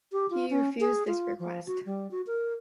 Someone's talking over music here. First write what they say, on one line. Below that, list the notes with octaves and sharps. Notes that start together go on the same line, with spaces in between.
He refused this request.
G4
F4
C#4
G#4
F4
F3
F#4
G3
F#4
A#4